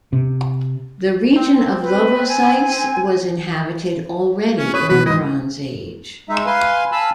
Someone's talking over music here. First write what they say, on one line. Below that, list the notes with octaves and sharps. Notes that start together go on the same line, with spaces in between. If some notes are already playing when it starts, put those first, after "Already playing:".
The region of Lovosice was inhabited already in the Bronze Age.
C3
C4
B4
G#5
C#4
B4 C#5 D#6
B2 F#3 B4
G#2 E3 D#5
G#3 D#4 E5
B4 F5 G#5 C6
F5 G#5 A5 B5 E6